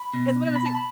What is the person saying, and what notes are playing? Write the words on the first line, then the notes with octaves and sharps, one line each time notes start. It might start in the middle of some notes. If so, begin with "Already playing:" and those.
It's one of those thi
Already playing: B5
B2
B2
B5
A5
B5